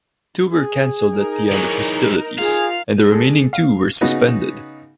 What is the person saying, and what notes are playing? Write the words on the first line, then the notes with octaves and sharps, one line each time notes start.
Two were cancelled at the end of hostilities, and the remaining two were suspended.
G#4
D#4 A#4 A#5
E3 F#3
F4 G#4 F5
G#3 A4
F5
C#3 B3 D#4 F#4